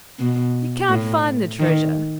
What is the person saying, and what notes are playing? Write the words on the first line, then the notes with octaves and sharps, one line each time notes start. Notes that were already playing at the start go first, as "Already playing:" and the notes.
You can't find the treasure.
B2
A2
D#3